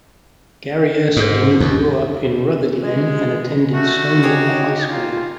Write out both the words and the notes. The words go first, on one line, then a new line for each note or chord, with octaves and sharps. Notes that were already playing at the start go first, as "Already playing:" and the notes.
Gary Erskine grew up in Rutherglen and attended Stonelaw High School.
G#2
D#2
G#3
D3 A3 F#4
D#4 G4 G#4 C#5
F4